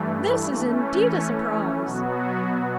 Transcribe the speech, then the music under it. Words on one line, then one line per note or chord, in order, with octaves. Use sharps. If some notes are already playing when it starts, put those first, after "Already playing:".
"This is indeed a surprise!"
Already playing: G2 E3 A3
E3 A3 C#4
B2 F#3 B3 F#4